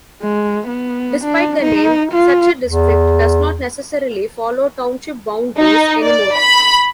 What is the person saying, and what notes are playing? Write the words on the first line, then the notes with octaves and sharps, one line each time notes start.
Despite the name, such a district does not necessarily follow township boundaries anymore.
G#3
B3
D4
D#4
F4
E2
D#4
D5
B5